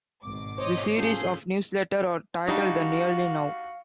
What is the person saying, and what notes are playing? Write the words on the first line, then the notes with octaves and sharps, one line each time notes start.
This series of newsletters are titled "The Nearly Now".
G#1 B2 D6
C5 C#5 D#5
C#4 F4 G#4 A4 G6 C7
G3 D4 D#4 F#4 F5